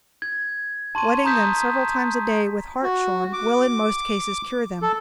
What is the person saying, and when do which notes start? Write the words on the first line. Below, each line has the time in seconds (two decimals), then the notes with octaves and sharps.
Wetting them several times a day with hartshorn will in most cases cure them.
0.22 G#6
0.95 A5 C6 C#6 D#7
1.25 A#5 D#6 G6 B6
2.83 F#4
3.33 D6
4.82 A4